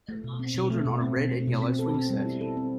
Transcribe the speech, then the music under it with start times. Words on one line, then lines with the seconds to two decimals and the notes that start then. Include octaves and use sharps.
Children on a red and yellow swing set.
0.09 A3
0.24 B2
0.39 C4
0.55 B2
0.70 A3
0.85 B2
1.01 C4
1.17 B2
1.32 A3
1.48 B2
1.63 C4
1.79 A4
1.94 C4
2.10 G3
2.25 E4
2.41 A4
2.57 C4